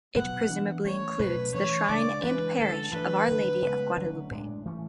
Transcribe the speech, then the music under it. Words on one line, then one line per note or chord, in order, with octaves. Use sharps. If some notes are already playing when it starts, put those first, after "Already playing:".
It presumably includes the shrine and parish of Our Lady of Guadalupe.
B2 F#3 B3 F#5
E3 B3 D4
E3 A3 C#4 C#5
B2 F#3 A3 C#4 B4
E3 A3 C#4 C#5
C#3 G#3 B3 D4 D5
E3 G#3 D4 B4
D3 G#3 C#4 A4
E3 A3 D4 B4
D3 F#3 A3
C#3 G#3 B3
D3 F#3 A3 C#4
A2 G#3 B3 D4
E3 A3 C#4